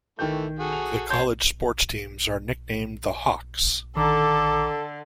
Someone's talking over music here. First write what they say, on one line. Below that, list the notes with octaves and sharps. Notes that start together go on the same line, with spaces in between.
The college sports teams are nicknamed the Hawks.
D#3 E3 A3 G5 G6
F#4 G#4 A4
F7
C#5 A5 C6 G6
A#1 D3 D#3 A4 A#5 D6